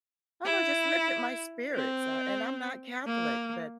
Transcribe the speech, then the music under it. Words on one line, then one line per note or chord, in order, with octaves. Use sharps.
I don't know, just lifted my spirits, uh, and I'm not Catholic, but
E4
C4
A#3